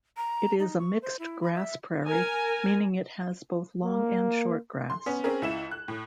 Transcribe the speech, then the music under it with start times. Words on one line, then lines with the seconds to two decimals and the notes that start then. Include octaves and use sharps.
It is a mixed grass prairie, meaning it has both long and short grass.
0.17 A#5
0.59 D#4
0.78 C#6
1.02 C5
1.19 E4
1.42 B5
1.54 E5
2.05 A#4 G#5
3.83 A#3
4.90 C6
5.06 B3 C#4
5.24 C4 C#4 G#4 A#4
5.42 C#2 E4 E7
5.71 F#6
5.88 A2